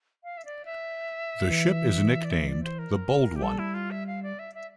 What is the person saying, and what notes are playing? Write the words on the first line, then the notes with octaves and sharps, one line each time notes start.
The ship is nicknamed "The Bold One".
F5
E5
D5
E5
E3
D5
E5
D5
C5
A#4
G4
G3 A4
E4
F4
E5
F5
D5
E5
E5